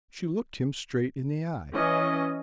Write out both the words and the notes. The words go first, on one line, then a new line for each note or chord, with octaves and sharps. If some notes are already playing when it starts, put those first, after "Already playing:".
She looked him straight in the eye.
E3 C#4 D#5